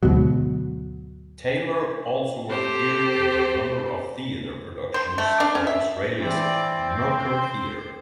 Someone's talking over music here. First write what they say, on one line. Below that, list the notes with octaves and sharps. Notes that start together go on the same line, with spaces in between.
Taylor also appeared in a number of theatre productions for Australia's Mercury Theatre.
D2 G#2 B2 F#3
C4 G4 A4 C5
C5
A3
D4
C#4
E5
E3 C4 D5
C5